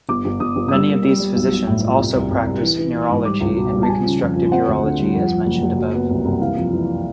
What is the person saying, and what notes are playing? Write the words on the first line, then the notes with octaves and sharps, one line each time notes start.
Many of these physicians also practice neurourology and reconstructive urology as mentioned above.
G1 D6
G1
G1 D#6
G1
D#6
G3 E6
A#3
G3
G3
B1
B1
A2
F3
C2
C2
C2
C2
E3
E3
E3
G#2
G3 D6
C#2
B2
G3
A5
F3 G#5
C#3
F2
F3
C4 F#5
D2
D3
G3
F2
F3
F#1
F#1
F#3
B3
C2
C2
E3 F5
F2
E3